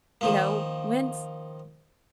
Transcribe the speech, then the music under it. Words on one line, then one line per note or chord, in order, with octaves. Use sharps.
you know, when's
D#3 F3 A#3